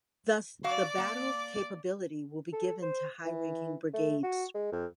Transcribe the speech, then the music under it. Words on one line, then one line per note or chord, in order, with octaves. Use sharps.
Thus the battle capability will be given to high-ranking brigades.
F#3 F#4 D5 F5 D6
A#3 A5
A4
C5
E3
A3
F#4
G#3
F2